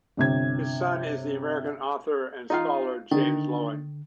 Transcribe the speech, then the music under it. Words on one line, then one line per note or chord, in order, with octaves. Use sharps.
His son is the American author and scholar James Loehlin.
G1 C3 G#6
D#4 F4 F5
D3 D#3 D4